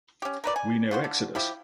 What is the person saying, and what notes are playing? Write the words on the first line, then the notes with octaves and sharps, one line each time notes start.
We know Exodus.
C#4 G4
A#4 B4 D5
G#5
F4 F#4 C5
D3
F3 E4 G4